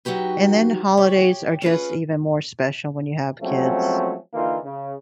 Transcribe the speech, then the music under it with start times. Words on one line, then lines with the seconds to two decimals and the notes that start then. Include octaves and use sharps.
and then holidays are just even more special when you have kids.
0.05 F#3 D#4 F#4 G4 B4
0.97 G4 C#5
1.62 C#4 F4 G#4 B4
3.41 F3 F#3 G#3 A3 C4 C#4
4.34 D#2 D3 E3 A#3 D#4 F4
4.64 C#3